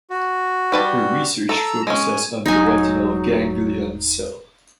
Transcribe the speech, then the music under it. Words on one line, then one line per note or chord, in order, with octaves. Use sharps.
Her research focuses on the retinal ganglion cell.
F#4
G3 B4 A5
A4 A#5 E6
G#3 C#4 G#5
E1 F#3 D#4 G#5